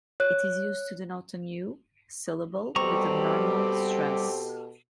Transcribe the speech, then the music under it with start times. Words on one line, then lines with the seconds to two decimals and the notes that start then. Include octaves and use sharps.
It is used to denote an "u" syllable with abnormal stress.
0.20 C#5 F#6
2.76 B2 G3 C4 G4 A4 A#5 C#6